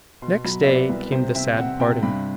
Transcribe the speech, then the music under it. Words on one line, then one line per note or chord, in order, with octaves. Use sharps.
Next day came the sad parting.
B2 C6
F#3 B5
E5
B3 D5
C2
C3 C5
C4 E5
C4 F#5
C3 G5
G2 B5